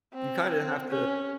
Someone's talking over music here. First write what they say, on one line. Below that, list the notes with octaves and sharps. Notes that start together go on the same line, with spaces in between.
you kind of have to
C4
C#4